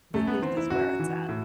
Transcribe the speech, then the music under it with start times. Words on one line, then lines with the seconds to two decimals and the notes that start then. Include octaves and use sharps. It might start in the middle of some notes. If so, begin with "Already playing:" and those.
The youth is where it's at.
0.14 F#2 A3
0.27 B3
0.42 E3 C4
0.57 E4
0.70 F#2 F#4
0.99 E3
1.29 A2